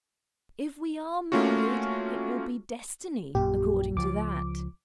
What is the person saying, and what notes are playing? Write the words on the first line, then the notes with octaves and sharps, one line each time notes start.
'If we are married, it will be destiny, according to that.'
A3 A#3 C#4 F4 F#4
A#1 F#2 A#2 G4
C#2 F3 D6